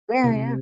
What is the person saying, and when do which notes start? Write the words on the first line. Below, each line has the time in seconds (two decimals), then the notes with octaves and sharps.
Yeah, yeah.
0.24 C3